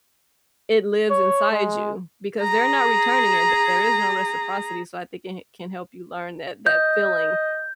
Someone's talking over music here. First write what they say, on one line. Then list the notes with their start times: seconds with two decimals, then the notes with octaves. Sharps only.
it lives inside you because they're not returning it, and there is no reciprocity, so I think it ca can help you learn that that feeling
1.10 C#5
1.51 G#3
2.42 G#4 A#5
6.67 D#5 G6